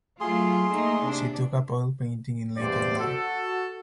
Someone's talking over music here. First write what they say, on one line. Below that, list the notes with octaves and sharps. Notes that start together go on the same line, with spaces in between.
She took up oil painting in later life.
F#3 A3 F4 G#4 C6
A3 A#3 D#4
C3 D4
E2 G2 G4 C5 D5
F#4 A4